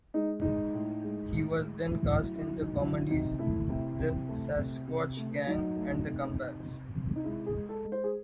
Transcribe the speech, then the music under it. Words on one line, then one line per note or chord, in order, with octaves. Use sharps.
He was then cast in the comedies "The Sasquatch Gang" and "The Comebacks".
G#3 D#4
G#3 D#4
A2
G#3
A2
G#3
A3 E4
E4
F#3
E4
F#3
D#4
F#3 E4
C3 D#4
A3 E4
C3 E4
C3
A3
C3
C3
A3
F#3 D#4
A3
C3
C3
C3
C3
D#4
G#3 E4
G#4
G#3
A4
G#3
C5
G#4